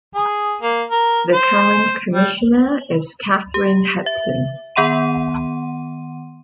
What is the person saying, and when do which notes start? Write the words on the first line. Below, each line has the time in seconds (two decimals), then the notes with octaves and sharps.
The current Commissioner is Kathryn Hudson.
0.15 G#4
0.62 A#3
0.90 A#4
1.34 C5
2.14 G3
3.54 G4
4.06 E5
4.76 D#3 B3 F#5 C6 D#7